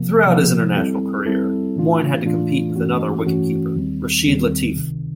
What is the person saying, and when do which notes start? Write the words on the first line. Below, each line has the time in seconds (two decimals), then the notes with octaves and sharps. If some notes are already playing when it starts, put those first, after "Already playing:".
Throughout his international career, Moin had to compete with another wicket-keeper, Rashid Latif.
Already playing: C3 F3 A#3
0.26 C3 F3 A#3
0.77 G3 C4 E4 A4
1.26 G3 C4 E4 A4
1.76 A2 E3 A3 D4 F4
2.26 A2 E3 A3 D4 F4
2.76 G2 E3 A3 C#4 F#4
3.26 G2 E3 A3 C#4 F#4
3.76 D#2 D#3 G3 C4
4.26 D#2 D#3 G3 C4
4.75 C#2 C3 D#3